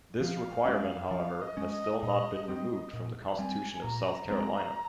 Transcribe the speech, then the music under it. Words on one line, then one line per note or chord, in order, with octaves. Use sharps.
This requirement, however, has still not been removed from the Constitution of South Carolina.
F3 F5
G#3 C#4
F3 F5
D#5
G#3 C#4
D#5
A#2 D#5
G3 C4 D#5
A#2
G3 C4 G#5
A#2 A#5
G#3 C4 A#5